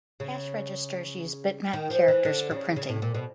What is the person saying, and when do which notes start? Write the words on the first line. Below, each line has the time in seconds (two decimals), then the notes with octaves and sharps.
Cash registers use bitmap characters for printing.
0.20 C#3
1.73 D#3
1.90 F3
2.08 E3
2.25 D3
2.51 C#3
2.76 C#3
2.89 A2
3.02 A#2
3.14 B2